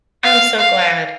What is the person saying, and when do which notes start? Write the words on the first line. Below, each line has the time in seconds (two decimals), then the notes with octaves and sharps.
I'm so glad.
0.24 F5
0.59 F5